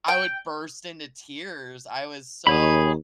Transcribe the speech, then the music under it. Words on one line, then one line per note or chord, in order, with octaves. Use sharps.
I would burst into tears, I was so
G5
D#2 G#4 C#5 B5